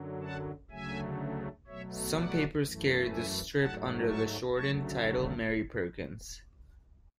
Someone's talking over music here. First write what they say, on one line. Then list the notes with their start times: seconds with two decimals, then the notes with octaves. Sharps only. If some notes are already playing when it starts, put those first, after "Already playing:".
Some papers carried the strip under the shortened title Mary Perkins.
Already playing: F#2 D3 F#3
0.22 F#5 A5
0.71 D2 C#3 F#3 A3 E5 G#5
1.67 B2 F#3 A3 C#5 E5
2.15 D5 F#5
2.63 F#2 E3 A3
3.12 E5 G#5
3.60 G#2 F#3 A3 F#5 A5
4.08 A5 C#6
4.56 D2 C#3 F#3 A3 A5 C#6